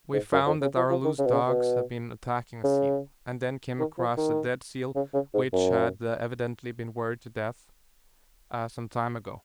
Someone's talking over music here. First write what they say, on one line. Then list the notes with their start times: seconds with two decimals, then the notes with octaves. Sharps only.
We found that our loose dogs had been attacking a seal, and then came across a dead seal which had evidently been worried to death some time ago.
0.13 G#2
0.32 F#2
0.46 F2
0.61 C#3
0.76 F3
0.90 F3
1.05 D#3
1.18 C#3
1.26 B2
1.33 C#3
1.48 B2
2.64 C#3
3.79 D#3
3.98 F3
4.17 D#3
4.96 C#3
5.14 C#3
5.34 G#2
5.53 F#2